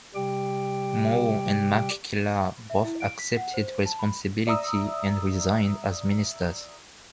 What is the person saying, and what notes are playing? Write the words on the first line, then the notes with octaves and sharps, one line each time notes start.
Moore and MacKellar both accepted responsibility and resigned as Ministers.
C3 G3 G4 G5
E5
E4
D7
B6
F#5
C5
A5
B5
D5 E5 A#5 D#6 E6